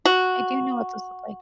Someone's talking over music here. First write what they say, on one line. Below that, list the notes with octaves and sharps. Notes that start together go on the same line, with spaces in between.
I do know what those look like.
F#4